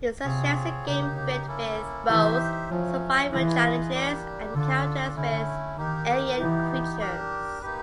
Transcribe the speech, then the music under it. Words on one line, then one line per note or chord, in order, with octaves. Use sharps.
It suggests a game filled with both survival challenges and encounters with alien creatures.
C3 C4 F4 G#4 C#5
C#3 A#3 D#4 G4
A#3 C#4 E4 A4
E3 D#4 G4 C5 E5
F3 F#3 A3 C#4
E3 F4 G#4 B4 D#5
G3 A#3 D4 G4
D3 D4 F4 A4
D3 A3 C#4 E4
D#3 A#3 D#4 G4 A#4
E3 B3 D#4 G4
D4 G4 A#4
A#3 D#4 G4 B4